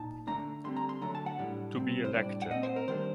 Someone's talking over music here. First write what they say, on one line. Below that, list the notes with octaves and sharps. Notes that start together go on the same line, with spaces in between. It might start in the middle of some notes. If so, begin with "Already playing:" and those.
To be elected.
Already playing: A#2 D#4 A5
D3 A3 D4 A#5
D3 G3 C4 C6
A#5
C6
D3 F#3 A3 A#5
A5
F#5
A2 G3 D4
C3 G3 C4
C5
A2 G3 D4 D5
F#5
A#2 A3 C4 D#5
C5
A#4
D#3 G3 A#3 D4 C5